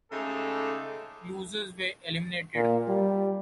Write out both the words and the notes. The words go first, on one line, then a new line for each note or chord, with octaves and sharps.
Losers were eliminated.
C#3 G#3 A3 D#4 G4 A4
A#2
G3